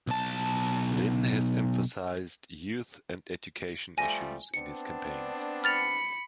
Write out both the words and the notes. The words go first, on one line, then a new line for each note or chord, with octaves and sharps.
Lin has emphasized youth and education issues in his campaigns.
B1 A5
F3 G3 A3 G#5 A#6
B3 C4 D4 C#7
B5 F6 A6 C#7 F7